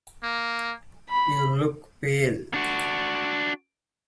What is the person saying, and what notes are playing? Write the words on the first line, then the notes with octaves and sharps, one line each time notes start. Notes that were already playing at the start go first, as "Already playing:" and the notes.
You look pale.
A#3
B5
D4 F#4